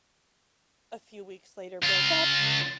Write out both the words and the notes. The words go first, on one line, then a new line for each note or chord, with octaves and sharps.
a few weeks later broke up.
C#2 F4